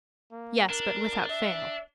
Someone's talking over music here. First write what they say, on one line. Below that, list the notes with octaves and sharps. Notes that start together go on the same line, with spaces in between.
"Yes; but without fail."
A#3
D4 A#4
E5